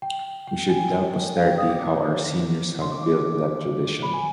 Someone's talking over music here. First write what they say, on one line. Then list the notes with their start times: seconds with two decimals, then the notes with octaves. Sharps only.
We should tell posterity how our seniors have built that tradition.
0.02 G5
0.48 G5
0.69 G#5
0.92 G5
1.36 F5
1.47 G5
1.58 D#6
1.69 D6
2.81 C6
2.92 D6
3.03 D6
4.03 B5
4.14 G#5